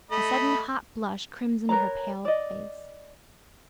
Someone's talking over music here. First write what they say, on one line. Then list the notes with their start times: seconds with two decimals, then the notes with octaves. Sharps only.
A sudden, hot blush crimsoned her pale face.
0.11 A3 D#5 B5
1.69 A#4 B4 C#5 A#5
2.25 D5 D#5